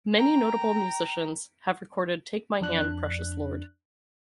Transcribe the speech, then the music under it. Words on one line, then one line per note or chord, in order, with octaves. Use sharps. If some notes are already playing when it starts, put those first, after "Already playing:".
Many notable musicians have recorded "Take My Hand, Precious Lord".
G5 A#5
F2 D4 F#6